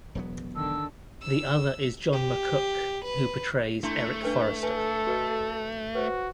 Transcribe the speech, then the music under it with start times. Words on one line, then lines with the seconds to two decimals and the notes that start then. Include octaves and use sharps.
The other is John McCook, who portrays Eric Forrester.
0.15 E1 F#3 B3
0.56 D3 D#3 A5 E6
1.22 E6
2.12 G4
3.05 B4
3.84 A3 D4 E4 C6
4.23 D4 B4 G5
4.63 A4 B4 F5 G#5
5.07 F#4 B4 D#5
5.95 F#4 B4 C5